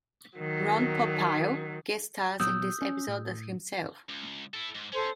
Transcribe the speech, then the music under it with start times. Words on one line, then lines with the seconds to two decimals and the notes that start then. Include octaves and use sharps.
Ron Popeil guest stars in this episode as himself.
0.37 D#3 F#3
2.40 A#2 F#3 B3 D#6 E6 G6
2.82 C#4
3.08 A2
4.09 C#2
4.54 E4 A4
4.75 G#2
4.92 C#4 A4 C5